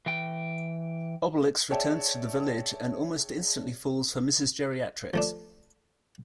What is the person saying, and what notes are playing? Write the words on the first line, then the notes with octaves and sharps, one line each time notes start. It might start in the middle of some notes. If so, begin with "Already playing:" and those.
Obelix returns to the village and almost instantly falls for Mrs. Geriatrix.
E3 G5
G#4 C#5 D5 E5 G5 A5
F3 A3 D4